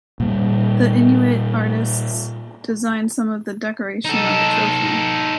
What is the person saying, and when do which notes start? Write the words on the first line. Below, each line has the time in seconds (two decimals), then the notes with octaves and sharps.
The Inuit artists designed some of the decoration on the trophy.
0.20 A#2 G3
4.05 D#4 A4